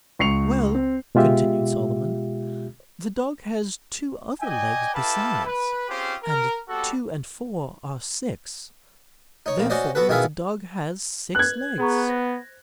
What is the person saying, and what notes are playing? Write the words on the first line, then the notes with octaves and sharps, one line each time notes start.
"Well," continued Solomon, "the dog has two other legs, besides, and two and four are six; therefore the dog has six legs."
C#2 C#6 C7 C#7 F7
C4
B2 G#3 F4 G4 E5
D5 D#5 G5 G#5
E4 G4 A4 B4 F5 A5
B4
C4 C#4 F4 G4 G#4 C5
A#4
G3 B3 C4 F#4 A4
D#4 C#5
A#1 A#3
C#4 F#4 C5 D5 D#5
B3 F#4 A4 B4
B2 D#3 E4 G#4 E5 F5
B4 F#6 G#6
B3 G#4 A#5 C#6
C5 A#6